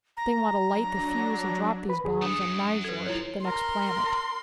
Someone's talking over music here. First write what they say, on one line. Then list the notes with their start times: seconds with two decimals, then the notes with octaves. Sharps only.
They want to light the fuse and drop these bombs on Nyjord, the next planet.
0.17 A#5
0.65 F#3 D4
1.89 B4 B5
2.04 D#2 G#4
2.22 E3 A3 D4 D#6
2.41 F#2
2.84 A4 B4 G#6
3.06 F3 E4 C#5
3.45 A#4 C6